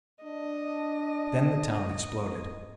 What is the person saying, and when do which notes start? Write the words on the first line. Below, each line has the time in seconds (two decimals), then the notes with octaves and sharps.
Then the town exploded.
0.24 D4 D#5